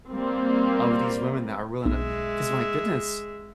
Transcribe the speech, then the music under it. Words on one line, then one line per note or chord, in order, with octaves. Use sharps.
of these women that are willing to 'cause my goodness.
G3 A#3 C4
B1 G#3 E5